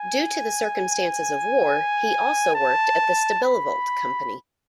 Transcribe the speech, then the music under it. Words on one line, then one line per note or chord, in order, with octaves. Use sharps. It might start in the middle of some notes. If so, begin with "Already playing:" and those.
Due to the circumstances of war, he also worked at the Stabilovolt Company.
Already playing: G#5
A5
B5